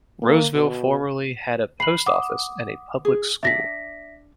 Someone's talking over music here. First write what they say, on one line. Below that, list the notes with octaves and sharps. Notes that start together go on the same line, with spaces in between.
Roseville formerly had a post office and a public school.
A#3
B2
B5 C7 F#7
F#5 D6 D#6
G#4
D4 D5 E5 A#6 B6